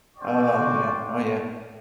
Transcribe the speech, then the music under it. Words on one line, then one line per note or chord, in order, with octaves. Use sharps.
Oh, yeah, oh, yeah.
F#4 C5 D5 G5 C#6